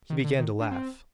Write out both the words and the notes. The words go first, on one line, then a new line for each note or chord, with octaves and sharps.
He began to laugh.
D#3
D3
D#3
D4
C4